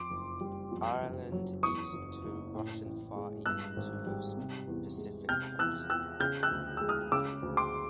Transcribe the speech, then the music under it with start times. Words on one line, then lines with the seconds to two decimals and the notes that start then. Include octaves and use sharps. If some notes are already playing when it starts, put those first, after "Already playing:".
Ireland east to Russian Far East to the Pacific coast.
Already playing: F2 C6 D6
0.10 F#1
0.41 G3
0.71 F2
1.02 F#1
1.32 F#3
1.63 E2 C#6 D#6
1.93 F#1
2.24 F#1
2.54 A2
2.85 A1
3.16 G#3
3.46 G2 E6 F#6
3.76 G#1
4.07 G3
4.37 C3
4.68 E2
4.98 G#3
5.29 C3 F6 G6
5.59 E2 E6 F#6
5.89 E2 E6 F#6
6.20 C#3 F6 G6
6.43 E6 F#6
6.51 D2
6.77 G#3 E6
6.89 D#6 F6
7.12 C#3 D6 E6
7.43 D2
7.57 C6 D6